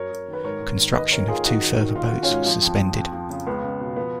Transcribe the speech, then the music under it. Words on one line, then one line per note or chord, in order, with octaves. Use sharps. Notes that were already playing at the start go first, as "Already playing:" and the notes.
Construction of two further boats was suspended.
Already playing: F#2 A#4 C#5
F#2
D#3
B4
G#2 A#4 C#5
G#2
D#3
D#2 B4 D#5
D#2 A#4 C#5
D#2 F4 G#4
D#3 D#4 F#4
F#2
D#3
D#3 F4
D#3 F#4
C#4 F4
G#2
F3
F2
F3
F2
F3
C#3
C#2 B3
C#2
B2
F3 B3